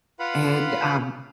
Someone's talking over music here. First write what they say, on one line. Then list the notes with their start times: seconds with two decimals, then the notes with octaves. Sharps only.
and, um
0.20 F4 B4 F5 F#5 B5